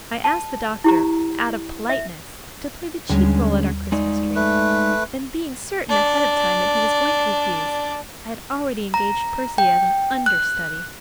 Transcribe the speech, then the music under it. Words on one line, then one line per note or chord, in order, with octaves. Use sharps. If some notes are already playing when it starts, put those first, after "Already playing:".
I asked the doctor, out of politeness, to play the chief role at our Christmas tree; and being certain ahead of time that he was going to refuse, I had already engaged Percy as an understudy.
A5
E4 G4 A#5
E5
D#2 D3 G3 G#3 C#4
G#3 D#4 D5
A3 B4
D4 D5
A#5
G5
F#6